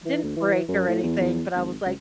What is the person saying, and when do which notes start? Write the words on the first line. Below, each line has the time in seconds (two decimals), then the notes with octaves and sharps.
It didn't break or anything, but I was like,
0.05 E3
0.23 D2
0.36 E3
0.68 F#2
0.88 A2
1.03 E2
1.20 E2
1.55 G#1
1.86 C#2